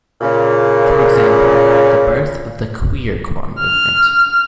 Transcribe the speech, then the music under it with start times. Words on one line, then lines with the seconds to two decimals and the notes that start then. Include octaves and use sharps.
For example, the birth of the Queercore movement.
0.21 A#2 C#3
3.59 F6